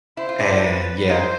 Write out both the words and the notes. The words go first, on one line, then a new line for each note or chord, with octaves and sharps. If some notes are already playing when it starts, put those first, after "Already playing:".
and yeah,
E4 C5
F4
D4 E4
B4
D#4 F4 C5